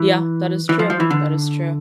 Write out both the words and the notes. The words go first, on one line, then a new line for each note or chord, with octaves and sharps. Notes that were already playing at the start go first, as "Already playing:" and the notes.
Yeah, that is true, that is true,
Already playing: E3
E3
F3
F3
E3
D3